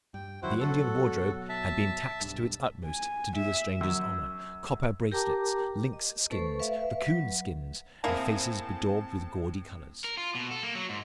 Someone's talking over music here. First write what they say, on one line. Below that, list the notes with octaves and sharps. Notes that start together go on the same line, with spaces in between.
The Indian wardrobe had been taxed to its utmost to do the strangers honor,--copper bracelets, lynx-skins, raccoon-skins, and faces bedaubed with gaudy colors.
G2 G5
F2 D#3 F#3 E4 F#4 C5
B2 F#3 F#4 A4
E5 A5
B1 G2
G#5
E5
F#2 E6
G4 A#4 G5 A5 A#5 D6
D#5
A3 A4 B4 C5 C#6
B4 E5 F5
F#3
A2 A#3 C4 E4 G#4 A5
A#4
F4
B2
A4
A#3
F#3
G#2